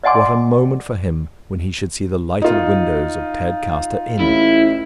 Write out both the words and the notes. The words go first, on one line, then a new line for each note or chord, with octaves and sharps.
What a moment for him when he should see the lighted windows of Tadcaster Inn!
D5 D#5 F#5 G#5 C6 D6
D#4 F4
A1 E4